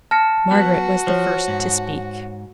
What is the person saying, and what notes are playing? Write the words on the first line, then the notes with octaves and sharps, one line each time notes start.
Margaret was the first to speak.
A5 F6 A#6 C#7
F#3 B3 F#4
F3 C5 C#5
G#2